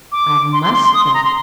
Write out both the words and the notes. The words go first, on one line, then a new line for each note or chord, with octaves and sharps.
I must go.
D6
C6
C6
C6
C6
D#6
C6
A#5
C6